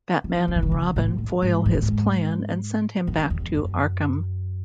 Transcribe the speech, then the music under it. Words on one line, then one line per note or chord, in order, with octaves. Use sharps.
Batman and Robin foil his plan and send him back to Arkham.
E3
D#3
E3
D#3
C#3
A2
F#2
G#2
G#2
F#2
G#2
F#2
E2
F#2